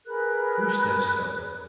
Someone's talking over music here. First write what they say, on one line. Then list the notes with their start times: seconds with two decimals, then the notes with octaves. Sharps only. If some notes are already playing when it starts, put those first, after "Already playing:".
"Who says so?"
0.06 G#4 A#4 B4 F#6